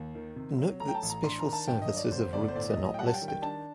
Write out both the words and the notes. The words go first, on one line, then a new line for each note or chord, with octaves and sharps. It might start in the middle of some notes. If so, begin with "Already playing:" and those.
Note that special services of routes are not listed.
Already playing: D#2
D#3
C3
F#3
A3 A#5
G5
A5
A1
A#5
D4 C6
A#5
D#3
A5
G2 G5
D#5
F#3
D5
G1 C5
G1 D5
C5
A2 D5
D#5
F#3
D#5
G5
G3 F#5
A5
G5
D#3
G5
D4 A5